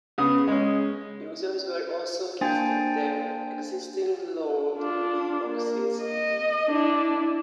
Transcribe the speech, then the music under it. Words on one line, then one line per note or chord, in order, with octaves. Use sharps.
Users were also gifted their existing loaned Be-Boxes.
C#3 B3 D#6
G#3 C#4
A#3 D4 C5 G5 G#5 A6
D4 F4
A#3
D#5
D4 E4